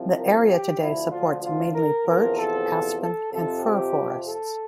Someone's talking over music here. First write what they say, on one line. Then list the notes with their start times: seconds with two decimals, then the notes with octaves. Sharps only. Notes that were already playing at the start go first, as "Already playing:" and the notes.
The area today supports mainly birch, aspen, and fir forests.
Already playing: C2 C3 F3
0.16 A#4
0.48 G4
0.79 D2 D3 F3 E4
1.11 F4
1.42 F4
1.74 A#4
2.06 E2 C3 F3 A#4
2.38 A4
3.01 A4
3.32 F2 C3 F3 A4
3.64 G4
4.27 A4